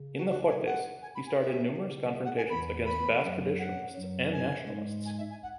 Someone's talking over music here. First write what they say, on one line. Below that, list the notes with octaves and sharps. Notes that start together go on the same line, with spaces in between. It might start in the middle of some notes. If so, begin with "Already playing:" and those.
In the Cortes he starred in numerous confrontations against Basque traditionalists and nationalists.
Already playing: C#3
F#4
F#4
G#5
F#5
G#5
B5
G#5
E5
C#3
E5
F#5
G#5
E2 E3 B5
B5
F#2 F#3
F#5
F#2 F#3
G#5
G#2 G#3
G#5
E5
G#5
F#5